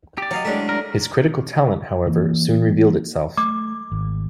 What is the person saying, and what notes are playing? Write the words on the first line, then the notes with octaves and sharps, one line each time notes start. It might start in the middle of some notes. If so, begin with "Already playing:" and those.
His critical talent, however, soon revealed itself.
G4 D5
F#3 D#5 F5 F#5
G#3 A3 C#4 D4 E4
A#4
E3 A#3
A3 D6
G#1